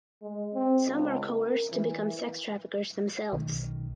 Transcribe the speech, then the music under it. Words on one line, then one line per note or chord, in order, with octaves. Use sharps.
Some are coerced to become sex traffickers themselves.
G#3
C4
C#2
A#4
E3
B1 D#3